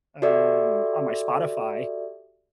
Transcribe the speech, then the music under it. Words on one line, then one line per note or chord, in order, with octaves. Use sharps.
um, on my Spotify,
F#4 G4 A4 D5 E5